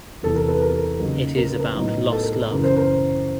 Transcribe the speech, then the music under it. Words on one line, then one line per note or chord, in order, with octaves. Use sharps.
It is about lost love.
E2 C3 E3 A4
A#4
A4 B4
A#4
A4
A#4
C#3 F#3 A#3 D#4
A#4
B4
A#4
A2 F#3 B3 D#4
A4
A#4
A4
F#2 C#3 E3 A#4
A#4 C5
A#4 C5